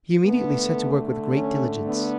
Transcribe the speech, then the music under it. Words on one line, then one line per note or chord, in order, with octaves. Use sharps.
He immediately set to work with great diligence.
D3 A3 B3
C#4
B3 D4